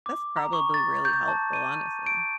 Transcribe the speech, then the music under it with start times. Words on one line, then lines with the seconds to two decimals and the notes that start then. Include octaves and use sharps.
That's probably really helpful, honestly.
0.06 D6
0.37 A#5
0.53 C#6
0.74 A6
1.05 G6
1.28 A5
1.53 D#7
2.06 D7